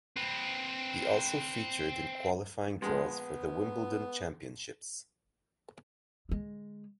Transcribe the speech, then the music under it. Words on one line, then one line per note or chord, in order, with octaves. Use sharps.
He also featured in qualifying draws for the Wimbledon Championships.
C4 B4
A#1 G#3 B3
D3 G#3